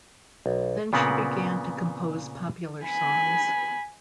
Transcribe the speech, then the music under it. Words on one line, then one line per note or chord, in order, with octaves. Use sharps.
Then she began to compose popular songs.
B1
A#2 C#3 B3 C4 A#4 F#5
G#5 B5